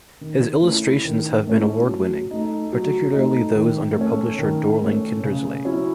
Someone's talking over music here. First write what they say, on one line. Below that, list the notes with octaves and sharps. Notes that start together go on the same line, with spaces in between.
His illustrations have been award winning, particularly those under publisher Dorling Kindersley.
D#3
A3 C#4 E4
D#3
A3 C#4 E4
F#3
A3 D#4
F#3
A3 D#4
D#3
A3 C#4
D#3
A3 C#4
C#3
F#3 C#4 E4